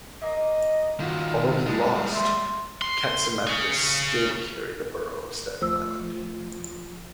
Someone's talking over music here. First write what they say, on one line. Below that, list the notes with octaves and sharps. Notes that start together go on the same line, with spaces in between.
Although he lost, Catsimatidis did carry the borough of Staten Island.
A#3 D#5 A#5
D#3 F4 F#4
G3 G#3 A4 A#4 D#5
C4 C5 E5 C6
C6
G#4 C#5
D2 F3 A3 C5 E6